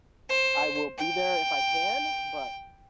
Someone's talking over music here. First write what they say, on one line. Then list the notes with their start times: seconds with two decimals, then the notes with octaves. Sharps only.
I will be there if I can, but"
0.29 C5
0.98 G5